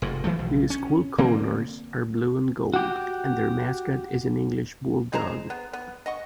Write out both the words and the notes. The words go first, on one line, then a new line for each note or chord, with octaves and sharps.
The school colors are blue and gold, and their mascot is an English bulldog.
F1 G#2
E3 F3 A3
B1
C#4
D3 A#3 C4 C#4
F#4 G4
D#4 G#4 C5 A#5
B3
B3
D#5 F#5 C#6